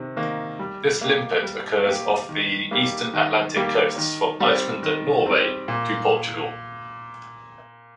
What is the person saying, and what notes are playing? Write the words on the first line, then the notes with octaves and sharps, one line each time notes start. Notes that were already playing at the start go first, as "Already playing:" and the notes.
This limpet occurs off the eastern Atlantic coasts from Iceland and Norway, to Portugal.
Already playing: C3 D#3
D#3 A#3
G3
A#3 G4
G3
A#3 G4
D#3
G3 A#3 G4
D#3
G3 A#3 G4
D#3
G3 C4
D#3
G3 C4
A#2